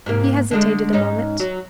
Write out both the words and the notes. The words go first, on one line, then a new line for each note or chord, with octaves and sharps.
He hesitated a moment.
G#2 C3 A#3
D3 G#3 A3
G#2 C#4 D#4
F#3